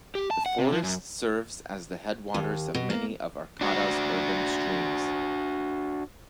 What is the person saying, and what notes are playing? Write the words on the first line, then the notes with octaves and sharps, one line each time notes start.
The forest serves as the headwaters of many of Arcata's urban streams.
G4
A5
F#5
C3
F3
F#2
D#2
B2
A#3
D4 F#4